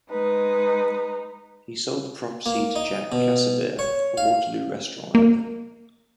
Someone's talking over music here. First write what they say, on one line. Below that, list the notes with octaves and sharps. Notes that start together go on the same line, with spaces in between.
He sold the property to Jack Casebeer, a Waterloo restaurant owner.
G#3 D#4 B4
A#3
D#4
B2
C#5
F5
A#3